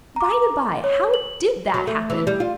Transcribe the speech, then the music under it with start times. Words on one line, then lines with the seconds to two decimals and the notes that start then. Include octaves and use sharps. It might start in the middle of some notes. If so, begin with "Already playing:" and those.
By the by, how did that happen?
0.16 A#5 D6
0.84 C#5
1.14 F#7
1.74 F#3
1.87 A3
2.10 E3
2.27 G3
2.40 F4